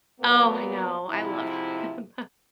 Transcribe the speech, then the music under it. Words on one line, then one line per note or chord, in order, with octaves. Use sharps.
Oh, I know. I love him.
A#2 F#3 A#3 B3
G#2 C3 F3 E4